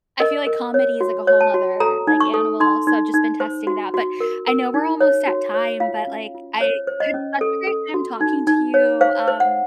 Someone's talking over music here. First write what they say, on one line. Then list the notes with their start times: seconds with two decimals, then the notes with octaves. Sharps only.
I feel like comedy is like a whole 'nother, like, animal, so I've just been testing that. But, I know we're almost at time, but, like, I it's such a great time talking to you, um,
0.20 A#4 D#5
0.47 A#4
0.74 C#5
1.01 F#4
1.27 C#5
1.41 A5
1.54 F#4
1.80 A4 A#5
2.07 D#4
2.20 C#6
2.34 A4
2.60 D#4 C6
2.87 D#4
3.14 D#4
3.40 C5
3.67 F#4
3.94 F#4
4.20 A#4
4.47 A#4
4.74 D#4
5.01 C#5
5.27 F#4
5.54 C#5
5.80 F4 F5
6.07 C#4
6.34 F4
6.60 C5 C#5
6.87 C5
7.00 D#5
7.14 C#4
7.41 A4
7.67 A4
7.94 F#4
8.21 D#4
8.47 D#4
8.74 C#5
9.01 C5 F5
9.28 C5
9.40 F#5